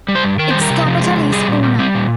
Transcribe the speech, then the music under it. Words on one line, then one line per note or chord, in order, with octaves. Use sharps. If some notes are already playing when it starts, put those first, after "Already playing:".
Its capital is Puna.
G3
C5
G2
D#3 A#4
G3 C5
A#4
C3
F3
G#3
C3
G3 G#4
A#2
G3
G3 C4
A#2